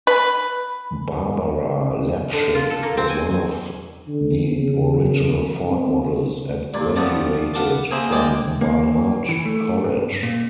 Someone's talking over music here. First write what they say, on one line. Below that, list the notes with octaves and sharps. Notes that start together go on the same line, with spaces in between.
Barbara Lapchick was one of the original Ford models and graduated from Barnard College.
B4
D3
F4
A4
A#3
C4
G#5
D3
C#3
C4
G2 A#2
F3 G3 A3 B3
B4 F5 F#5 A5 D6
A#3 G#4 C5 E5
D2 G3 G#3 A#3 G5 D6
A#3
E3
A3
G2
A#2